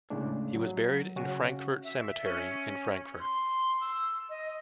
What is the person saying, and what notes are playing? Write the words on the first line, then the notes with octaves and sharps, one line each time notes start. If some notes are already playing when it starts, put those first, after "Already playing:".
He was buried in Frankfort Cemetery in Frankfort.
A2 C#3 G#3 A3 D4
F#3
C#3 C#4 F#4
E5
C#4
C6
E6
D#5